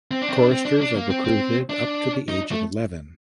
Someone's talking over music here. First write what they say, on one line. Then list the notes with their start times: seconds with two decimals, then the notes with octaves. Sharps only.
Choristers are recruited up to the age of eleven.
0.11 C4
0.22 D4
0.29 C4
0.36 D4
0.51 C4
0.65 D4
0.81 D4
0.96 A#3
1.10 C4
1.25 C4
1.70 D4
2.29 D#4
2.52 A3